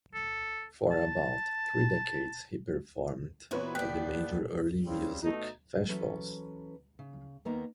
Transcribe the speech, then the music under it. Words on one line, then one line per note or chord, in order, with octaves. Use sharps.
For about three decades he performed at the major early music festivals.
A4
A5
A#2 E3 B3 C4 E4 F#4 B4 C#5
D#1 B3 D5 G5 F#6 B6
C#3 F3 G3 C4
B2 A3 D#4
E3 F#3 C#4 A4 B4
C#3
D#2 D#3 A#3 B3 D#4 A#5